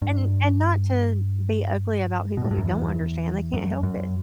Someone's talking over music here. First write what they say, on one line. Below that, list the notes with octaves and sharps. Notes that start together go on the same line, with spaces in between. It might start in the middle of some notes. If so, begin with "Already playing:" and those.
And and not to be ugly about people who don't understand, they can't help it.
G2
B2
A2
G2
F#2
E2
F#2
F#2